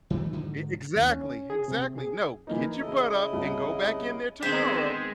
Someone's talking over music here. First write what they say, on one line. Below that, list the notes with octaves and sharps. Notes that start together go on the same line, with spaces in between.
E exactly. Exactly, "No, get your butt up and go back in there tomorrow,
D#3 E3 G3 A3
G#2 D3 D#3
D#2
C#4
G#4
C3
G#4
E3 A#3 D#4
C#3 E4 A4 D#5
C2
D#3 G#3 B3 C4 C5 B6